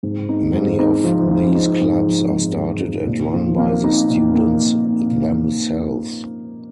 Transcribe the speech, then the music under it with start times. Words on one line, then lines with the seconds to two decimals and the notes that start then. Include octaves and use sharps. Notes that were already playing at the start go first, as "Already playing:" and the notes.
Many of these clubs are started and run by the students themselves.
0.03 G#2
0.29 D#4
0.54 G#2
0.79 D#4
1.04 F3
1.30 F3
1.55 D#4
1.81 G#2
2.06 F3
2.31 G#2
2.57 G#2
2.82 D#4
3.07 A#2
3.33 F3
3.58 A#3
3.84 D#4
4.10 A#2
4.34 A#3
4.60 A#2
4.86 D#4
5.11 A#2